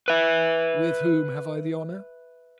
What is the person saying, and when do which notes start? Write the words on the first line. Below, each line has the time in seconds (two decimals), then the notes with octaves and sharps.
"With whom have I the honour?"
0.08 B4 E5